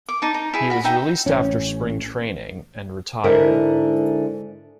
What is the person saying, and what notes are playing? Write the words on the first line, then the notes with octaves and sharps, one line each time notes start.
He was released after spring training, and retired.
D6
D#4 A5
D#4
E4 G#4
F#4 B5
D#4 E5 G5 A#5
A1 C#4
G#2 D3 E4 A#4 E5